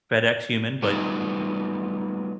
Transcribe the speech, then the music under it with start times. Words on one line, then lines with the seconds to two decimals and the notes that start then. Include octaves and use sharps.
FedEx human, but
0.82 F#3 G3 A3 B3 D#4 F4